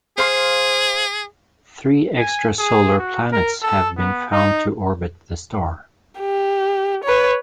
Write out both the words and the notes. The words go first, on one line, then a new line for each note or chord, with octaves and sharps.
Three extrasolar planets have been found to orbit the star.
G#4 C5 F5 C6
G#5
G#4
F#4
A#4
A4
B3
D#4
G4
B4 C#5